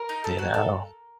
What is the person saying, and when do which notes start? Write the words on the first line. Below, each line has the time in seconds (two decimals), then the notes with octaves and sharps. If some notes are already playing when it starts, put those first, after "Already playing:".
You know?
Already playing: A#4
0.09 D#4
0.24 A4
0.39 F#4
0.54 A4